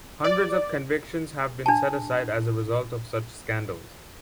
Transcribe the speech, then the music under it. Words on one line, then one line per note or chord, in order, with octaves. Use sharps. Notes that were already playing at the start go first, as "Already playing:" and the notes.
Hundreds of convictions have been set aside as a result of such scandals.
D5
D4 A5